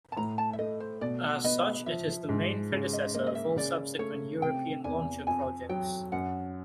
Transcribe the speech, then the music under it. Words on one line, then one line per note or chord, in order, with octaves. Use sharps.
As such it is the main predecessor of all subsequent European launcher projects.
A5
A2 A#5
A5
E5
A3 D#5
C5
B2 D5
B3 D#5
F3 E5
G#2
C#3
D#5
A#3 D#5
D#5
E5
C#3 D5
A3 C#5
C3 G5
E2 G#5
F2 G#5
F#3 G5
F#2 F#5